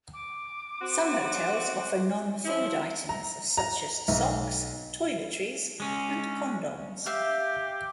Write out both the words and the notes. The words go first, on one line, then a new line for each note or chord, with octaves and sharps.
Some hotels offer non-food items, such as socks, toiletries, and condoms.
D6
C4 F#4
F3 E4
A#5
A#5
B1
G#3 C#4
G4 E5 F5